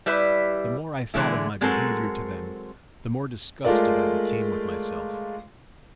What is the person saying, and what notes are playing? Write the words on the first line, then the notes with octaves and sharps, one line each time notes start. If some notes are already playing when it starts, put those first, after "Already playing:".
The more I thought of my behaviour to them, the more disgusted I became with myself.
G3 E4 B4 E5
D3 E3 G#3 A3 E4
F#3 G#3 C4 F#4 A4 A#4
G#3 A3 F4 A#4 D5